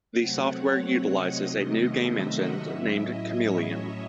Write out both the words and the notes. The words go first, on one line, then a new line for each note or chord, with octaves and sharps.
The software utilizes a new game engine named Chameleon.
C3 F#3 A3 C4 F#5
C#5
C#5
D#5
C3 D#3 F#3 A3 D#4
E5
F#5
A2 F#3 C#4 E4 E5
D#5
C#5
C#5